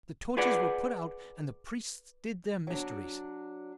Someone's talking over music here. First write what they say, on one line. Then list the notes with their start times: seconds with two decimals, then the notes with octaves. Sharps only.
The torches were put out and the priests did their mysteries.
0.37 F4 G#4 B4 D5 F#5
2.67 F#3 D4